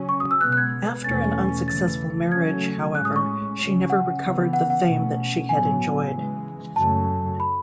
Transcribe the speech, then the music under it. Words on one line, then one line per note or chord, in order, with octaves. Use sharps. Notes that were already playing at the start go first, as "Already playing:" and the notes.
After an unsuccessful marriage, however, she never recovered the fame that she had enjoyed.
Already playing: C#3 F#3 C#4
C#6
D#6
E6
B2 G#3 B3 F#6
F#6
G#6
E2 B2 A3 C#4 A6
E2 C#3 E3 A3 A6
C#3 F#3 A3 C#4 G#6
A2 G#3 C#4 F#6
D#6
C#6
C#3 F#3 C#4
F#5
C#3 E3 B3
F#5
F#5
B2 A3 C#4
A2 F#3 B3 G#5
C#3 E3 G#3
F#2 C#3 F#3 A3 A5
B5